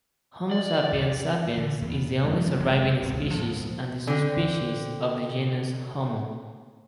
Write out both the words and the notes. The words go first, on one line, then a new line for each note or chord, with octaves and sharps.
"Homo sapiens sapiens" is the only surviving species and subspecies of the genus "Homo".
D5
D3
E2 A#2 B3
F#2 G#3
F#1 F2 A2 G#3
G#1 C#2
D2 G#2 F3 B3
D3 C4